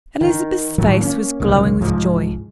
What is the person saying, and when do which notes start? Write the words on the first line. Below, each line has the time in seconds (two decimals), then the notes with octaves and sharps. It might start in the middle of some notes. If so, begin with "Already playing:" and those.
Elizabeth's face was glowing with joy.
0.21 D#3
0.78 A2 D#3 F3 F#3
0.98 A#3 B3 C#4
1.40 D1 B1 C#3 A#3
1.80 C2 G#2 F3 G#3